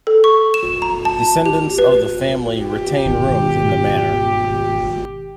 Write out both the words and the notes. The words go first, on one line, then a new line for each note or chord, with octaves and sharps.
Descendants of the family retain rooms in the manor.
A4
C#6
E7
A#5
A5
G4
B4
G4
G#1 B2 D#3